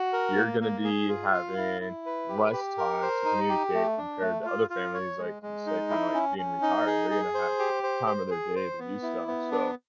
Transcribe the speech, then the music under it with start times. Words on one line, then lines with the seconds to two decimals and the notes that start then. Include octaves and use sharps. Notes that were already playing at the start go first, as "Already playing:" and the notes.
you're gonna be having less time to communicate compared to other families, like you said, kinda like being retired. They're gonna have time of their day to do stuff, so,
Already playing: F#4
0.13 A#4
0.37 A#3
0.61 A#3
0.84 G#4
1.09 F4
1.33 F5
1.58 E4
1.81 E4
2.06 B4
2.29 G4
2.53 G4
2.78 A#4
3.02 C5
3.25 D#4
3.49 G4
3.74 A3
3.98 D4
4.21 A3
4.45 F4
4.70 F4
4.94 C#5
5.18 G#3
5.42 G#3
5.66 D#4
5.90 E4
6.14 C#4
6.38 C#4
6.62 D#4
6.87 G#4
7.10 G#4
7.34 C5
7.59 G4
7.83 C5
8.06 C5
8.31 G#4
8.56 C5
8.79 B3
9.03 E4
9.28 B3
9.52 D4